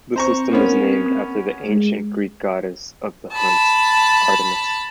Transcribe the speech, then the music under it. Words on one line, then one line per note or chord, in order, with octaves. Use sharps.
The system is named after the ancient Greek goddess of the hunt, Artemis.
C4 C5 A#5 C#6
A#3 B3 C#4
G#3
A5 B5